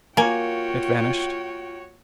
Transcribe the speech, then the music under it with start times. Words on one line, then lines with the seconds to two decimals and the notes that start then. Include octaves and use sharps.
It vanished.
0.17 A#3 F4 F#4 A#4 C#5 G5 G#5